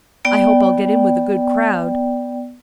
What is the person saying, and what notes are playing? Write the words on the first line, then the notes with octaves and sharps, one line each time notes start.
I hope I'll get in with a good crowd.
B3 D5 G5